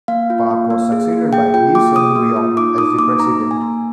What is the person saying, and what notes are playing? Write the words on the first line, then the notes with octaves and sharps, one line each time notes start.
Park was succeeded by Yi Sang-ryong as the president.
A#3 F5
F4
A#3
A#3
G#4
A#3
G#4 G5
F4 G5
A#3 D6
G#4 D#6
A#3
F4
D#4 D6
D#4 D#6
A#3 D6
D#4 A#5
A#3
G#5
A#3